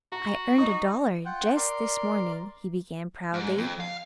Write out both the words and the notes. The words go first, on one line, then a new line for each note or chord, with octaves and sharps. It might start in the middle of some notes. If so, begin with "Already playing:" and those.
"I earned a dollar just this morning," he began proudly.
F#4 A#5
D#4 C#6
F4 F#5 G5
A#4 D5 C6
G#2
F2
F5